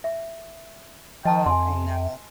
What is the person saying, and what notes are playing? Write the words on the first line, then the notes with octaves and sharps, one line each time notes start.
Oh, I know.
E5
F3 D#5 A5
F2 G#5 C6